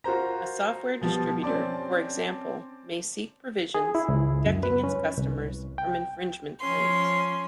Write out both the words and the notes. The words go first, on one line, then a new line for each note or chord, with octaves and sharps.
A software distributor, for example, may seek provisions protecting its customers from infringement claims.
F4 F#4 A#4 C5 A#5
B2 F3 G3
C4 C#4 D5 A5 D6
G#4
E4
C#2
F#2
B4
C#4
C2
G5
F3 C#4 C6